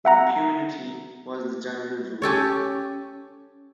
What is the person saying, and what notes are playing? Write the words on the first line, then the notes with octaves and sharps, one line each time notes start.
Impunity was the general rule.
E5 F#5 A#5
C#4 G4 A4 C#5